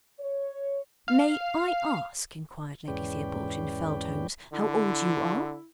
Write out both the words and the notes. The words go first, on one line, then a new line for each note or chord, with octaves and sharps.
"May I ask," inquired Lady Theobald, in fell tones, "how old you are?"
C#5
F5
E2 G#2 C#4 B4 D5 G5
D3 E4